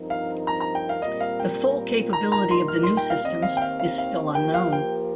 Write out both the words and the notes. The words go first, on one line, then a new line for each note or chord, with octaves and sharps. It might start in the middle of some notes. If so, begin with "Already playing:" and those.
The full capability of the new systems is still unknown.
Already playing: G2 F3 C4 D#4 A#4
F5
A#5
A#5
G5
F5
A#2 G3 C4 F4 A#4 D#5
F5
G5
A#2 G3 D#4 A#4 A#5
A#5
C6
F6
C6
G5
F5
D#2 D#3 C4 D#5
F5
G5
F5
F5
F5
F3 A#3 G4 A#4 G5
F5
G5